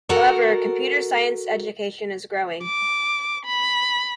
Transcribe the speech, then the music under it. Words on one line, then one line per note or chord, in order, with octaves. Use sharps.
However, computer science education is growing.
F#4 A4 A#4 F#5 A#5
D6
B5